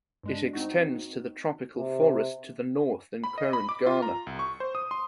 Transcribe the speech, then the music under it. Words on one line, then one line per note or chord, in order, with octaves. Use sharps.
It extends to the tropical forest to the north in current Ghana.
G2 G#3 D4
C4 D#4 F#4
C3
B5
D#5
B5
D6
F4
A#5
C2
C#6
C5
D#6
C6